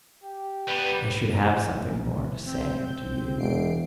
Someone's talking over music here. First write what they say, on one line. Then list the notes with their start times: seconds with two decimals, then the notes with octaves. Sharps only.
I should have something more to say unto you!
0.23 G4
0.68 G3 B3 B4
1.28 C3 E3
2.46 C4 G6
3.38 E1 C7 D7